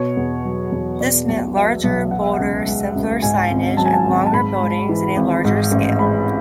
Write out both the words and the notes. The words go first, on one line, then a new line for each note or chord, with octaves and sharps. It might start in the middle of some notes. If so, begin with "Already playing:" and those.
This meant larger, bolder, simpler signage and longer buildings in a larger scale.
Already playing: B2 C#5
E2
F#3
E2
B2 D5
B1
F#3 E5
B1
B2 F#5
E5
F#5
C#2
G#3
C#2
G#2 G#5
G#1
F#3 A5
G#5
A5
G#1
A5
G#2 B5
G#3
E3
G#1
G#2
A1
G#3 B5